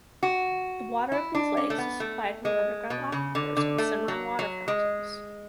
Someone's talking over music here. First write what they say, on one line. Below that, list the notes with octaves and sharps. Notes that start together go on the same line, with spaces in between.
The water of these lakes is supplied from underground aquifers and simmering water fountains.
F#4
E4
D4
C#4
A3
B3
A3
G#3
B2
C#3
D3
D3
A3
F#3
F#3
G#3